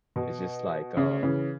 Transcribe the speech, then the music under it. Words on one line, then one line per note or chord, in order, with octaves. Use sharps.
is just, like, um,
B2
C#3
C#3 E3